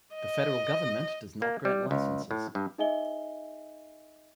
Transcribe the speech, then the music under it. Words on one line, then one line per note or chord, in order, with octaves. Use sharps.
The federal government does not grant licenses.
D#5
A#3
G3
C#2
A2
G2
D#4 G#4 D#5 E5 G#5 G7